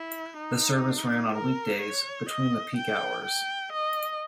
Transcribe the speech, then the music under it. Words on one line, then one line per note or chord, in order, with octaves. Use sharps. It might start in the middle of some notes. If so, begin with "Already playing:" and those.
The service ran on weekdays between the peak hours.
Already playing: E4
D#4
A#4
C#5
D#5
G5
G5
D#5